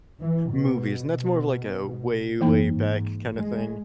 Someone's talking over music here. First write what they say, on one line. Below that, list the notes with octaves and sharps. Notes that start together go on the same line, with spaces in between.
movies, and that's more of like a way, way back kind of thing,
E3
B2
B2
F#2 E3 A#3 D#4
G#2
G#3